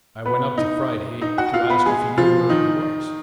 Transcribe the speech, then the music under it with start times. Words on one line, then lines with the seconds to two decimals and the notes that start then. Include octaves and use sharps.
I went up to Friday, to ask if he knew where he was.
0.26 B3 B4
0.58 D#4 D#5
1.21 D#4 D#5
1.38 F#4 F#5
1.54 F4 F5
1.70 B3 B4
1.86 G#3 G#4
2.18 F3 F4
2.49 D#3 D#4